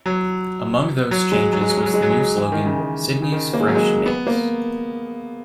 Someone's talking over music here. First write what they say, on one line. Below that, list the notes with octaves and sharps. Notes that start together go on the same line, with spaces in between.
Among those changes was the new slogan "Sydney's Fresh Mix".
F#3
F#3
G#3
F#3
G#3
F#3
G#3
F#3
G#3
F#3
G#3
F#3
E3
D#3
C#3
D#3
C#3
D#3
A#3
G#3
F#3
G#3
B3
A#3